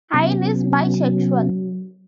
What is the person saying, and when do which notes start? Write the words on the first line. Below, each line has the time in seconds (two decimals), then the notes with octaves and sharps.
Hine is bisexual.
0.14 C3 F#3 B3 C#4